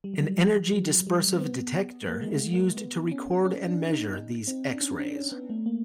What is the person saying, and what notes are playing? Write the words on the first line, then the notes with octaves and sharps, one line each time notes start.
An energy dispersive detector is used to record and measure these X-rays.
G3
F#3
G3
F3
F#3
G3
C4
B3
A#3
G#3
A3
A#3
B3
C#4
C#4
D4
D#4
D#4
C4
D4
C#4
C#4
D4
C#4
B3
A3
A#3